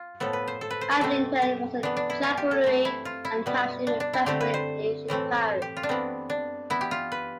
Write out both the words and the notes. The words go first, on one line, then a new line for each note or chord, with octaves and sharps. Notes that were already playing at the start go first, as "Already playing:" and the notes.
Adlington was a chapelry and township in Prestbury ancient parish.
Already playing: F4
A2 F3 B3 A4
B4
C5
A4
B4
C5
B4
B2 A3 C4 A4
G4
E3 B3 D4
D4
E4
F4
G4
A4
E3 A3 C4
E4
F4
E4
B2 G3 B3
D4
D4
E4
D3 A3 C4 G4
B4
C5
A2 E3 A3 C4
G4
F4
D4
E3 B3 C4
D4
E3 B3 E4
G4
F4
B4